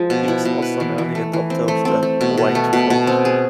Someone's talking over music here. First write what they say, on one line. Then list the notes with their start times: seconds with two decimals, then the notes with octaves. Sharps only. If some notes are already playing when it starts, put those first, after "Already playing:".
He was also an early adopter of the "white coat".
Already playing: F3 G#3
0.10 B2
0.28 E4
0.45 B2
0.62 B4
0.80 E3
0.98 E3
1.15 A3
1.33 E3
1.50 C4
1.68 A3
1.85 C4
2.03 A3
2.21 B2
2.38 B2
2.55 A3
2.73 B2
2.90 B2
3.07 C4
3.25 G#4